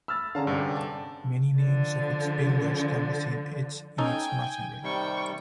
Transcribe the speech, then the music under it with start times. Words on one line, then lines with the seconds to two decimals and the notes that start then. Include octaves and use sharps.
Many names of its builders can be seen etched in its masonry.
0.08 B5 E6 F6 A6
0.35 D3 C#4 G#4 F5 A5 A#5
0.47 G2 C3 G4
0.77 A5
1.59 D3 F3
3.98 C#4 D#4 A4 G5 G#5
4.83 C3 D#3 G3 G5 C#6